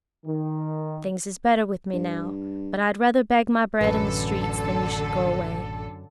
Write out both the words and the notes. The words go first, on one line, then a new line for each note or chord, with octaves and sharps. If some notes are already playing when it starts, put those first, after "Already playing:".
Things is better with me now, but I'd rather beg my bread in the streets than you should go away.
D#3
G2
A1 F#2 D3 A4 B4